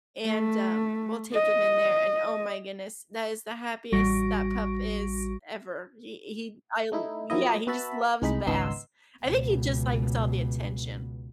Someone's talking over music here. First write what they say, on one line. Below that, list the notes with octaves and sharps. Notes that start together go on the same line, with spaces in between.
and, um, we'll take him in there and, oh my goodness, that is the happiest that pup is ever. He he I l Yeah, he just loves baths. I think he just likes all the attention.
A3
D#5
A1 G3 F#4 C#6 A#6 D7
A3 D#4 E4
F3 F#3 A#3 E4 D#5
B3 F#4 E5 A5 B5
C2 G#3 D#4 B5
G#1 C#2 B3 D#4 C6 E6
C#2 B2